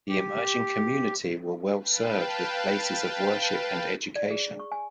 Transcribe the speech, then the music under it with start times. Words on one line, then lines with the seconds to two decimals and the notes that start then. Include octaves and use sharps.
The emerging community were well served with places of worship and education.
0.09 G4
1.78 B4 F5 G5 A5
4.16 D5
4.31 G#4
4.60 C#6
4.72 G#5